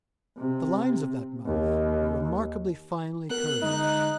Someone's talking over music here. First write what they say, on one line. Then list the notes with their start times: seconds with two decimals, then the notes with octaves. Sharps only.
The lines of that mouth were remarkably finely curved.
0.38 C3
1.46 D#2
3.30 B3 A#4 F#6
3.63 D3 G#3 D#4